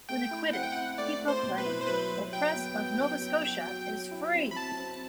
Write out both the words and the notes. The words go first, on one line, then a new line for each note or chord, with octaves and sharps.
When acquitted, he proclaimed: the Press of Nova Scotia is free.
A3 G5
E4
C4 F#5
G5
E4 F#5
A3 D5
A3
C5
B2
B4
E4
C5
F#3 B4
F#3
F#3 G5
B3
B3
F#3
F#3
F#4
F#3
F#3
E4
C4
B5
F#3 A5
C4